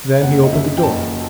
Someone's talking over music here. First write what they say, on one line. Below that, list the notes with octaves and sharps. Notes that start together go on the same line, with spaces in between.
Then he opened the door.
F#1 F#5
D#5
F#2 E5
G5
F#1 A5